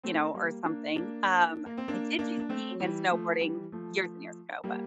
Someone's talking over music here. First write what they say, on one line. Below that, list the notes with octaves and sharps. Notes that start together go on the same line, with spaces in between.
you know, or something. Um, I did do skiing and snowboarding years and years ago, but
A3 C4
G3 A#3
A#3 D4
A#3 D4
A#3
C4
A#3 D4
A#3 D4
D4
A3 C4
E3 G3
F3 A3
E3 G3
F3 A3
G3 A#3